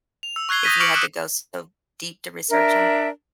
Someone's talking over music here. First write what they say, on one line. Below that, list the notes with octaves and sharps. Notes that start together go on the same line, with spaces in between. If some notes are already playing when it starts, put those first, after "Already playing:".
if you had to go so deep to research 'em?
F7
E6
C#6 F#6 G#6 C7 G7
D#6 G6 A#6 B6 D#7
C#6 D6 F6 C#7 D7 F#7
D#6 F#6 E7
D4 A#4 E5